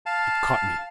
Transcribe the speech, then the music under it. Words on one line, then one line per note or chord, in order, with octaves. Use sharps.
It caught me.
F5 A5